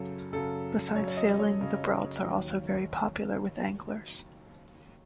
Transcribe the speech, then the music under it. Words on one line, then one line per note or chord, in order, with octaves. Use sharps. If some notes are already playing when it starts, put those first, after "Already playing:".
Besides sailing, the broads are also very popular with anglers.
Already playing: F#2 C#3 F#3 A4
F#2 C#3 F#3 A4
F#2 C#3 F#3 C#5
C#5
D#5
C#5
F#2 C#3 F#3
D#2 D#3 F#3